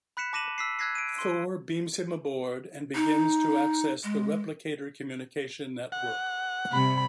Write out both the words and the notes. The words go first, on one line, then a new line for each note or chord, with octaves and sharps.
Thor beams him aboard, and begins to access the Replicator communication network.
B5 F#6 B6 C#7 E7
A5 D6 A#6 D#7 E7 F#7
E6 B6 C7
E6 F#6 G#6 A#6 C7
D7 D#7
C6
D#4
G#3
F#5
C3 G3 B5